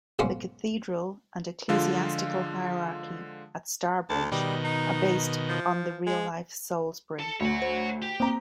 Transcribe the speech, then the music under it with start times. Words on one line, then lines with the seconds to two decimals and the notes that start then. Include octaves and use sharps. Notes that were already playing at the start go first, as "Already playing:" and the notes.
The cathedral and ecclesiastical hierarchy at Starbridge are based on the real-life Salisbury.
0.19 B1 G#2 A#3 C#4
1.69 D3 F3 G#3 F4
4.10 D2 A5
4.32 B2 D#3 G3
4.65 D#4
5.49 F3
6.07 G#3
7.19 A4
7.40 D2 C#5 F#5
7.62 C5
8.02 G4
8.20 A#3 C4 A#5 D6